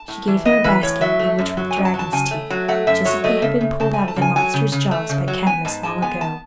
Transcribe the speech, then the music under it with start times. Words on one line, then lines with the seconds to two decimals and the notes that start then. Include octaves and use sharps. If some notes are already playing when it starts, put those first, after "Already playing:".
She gave him a basket, in which were the dragon's teeth, just as they had been pulled out of the monster's jaws by Cadmus, long ago.
Already playing: A5
0.08 A2
0.27 E3
0.45 B3 D#5
0.64 E3 B4
0.83 A2 C#5
1.01 F#3 E5
1.19 A3
1.39 F#2
1.57 F#3
1.71 G#5
1.76 F#2
1.85 A5
1.94 F#3
1.99 A5
2.12 C#3 G#5
2.31 A3
2.50 F#3
2.68 A3 F#5
2.87 F#2 E5
3.05 F#3 C#5
3.24 A3 D#5
3.42 C#3 E5
3.61 C#3
3.80 C#3 A5
3.93 A3 G#5
4.08 A5
4.16 C#3
4.21 G#5
4.36 F#3 G#5
4.54 C#3
4.72 C#3
4.91 A3
5.09 C#3
5.28 F#3
5.46 B3 G#5
5.65 G#2 A5
5.83 G#3 A5
6.02 B3 G#5
6.21 A5